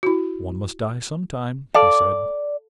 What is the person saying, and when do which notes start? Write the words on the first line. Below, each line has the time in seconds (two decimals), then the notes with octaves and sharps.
"One must die sometime," he said.
0.03 E4 F#4
1.75 A4 D5 F5 A5